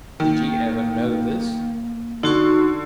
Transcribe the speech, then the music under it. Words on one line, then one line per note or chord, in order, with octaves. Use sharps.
Did ye ever know this?
D#3 A#3
D3 D#4 F#4 C#6